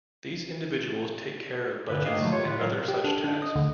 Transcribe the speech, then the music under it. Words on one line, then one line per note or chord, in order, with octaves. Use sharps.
These individuals take care of budgets and other such tasks.
G2 A#2 D3 B4
G#2 D#3 A3 A#3 D#5 F5
B2 D3 F3 F#3 A3
D#3 F4 G4 C#5
A2 B4
A2 F#3 G3 F4 A#4 F5
G4
D3
D3
D#5
D2